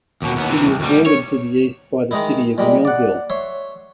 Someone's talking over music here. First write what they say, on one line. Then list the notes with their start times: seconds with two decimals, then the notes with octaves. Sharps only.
It is bordered to the east by the city of Millville.
0.22 D#2 B2
0.36 D#2 B3
0.49 C3 E3
0.66 C2
0.80 D2 G3
1.06 C#5
2.11 D#3 G#3 D#4 E4
2.58 A#2 G3 G#3
2.85 D5 F#5
3.30 C#5 E5 C6